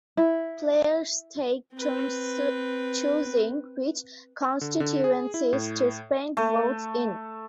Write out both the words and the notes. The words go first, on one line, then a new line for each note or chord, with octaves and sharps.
Players take turns choosing which constituencies to spend votes in.
E4
C4 B4
D3
D3
G#4
E4
A2
A3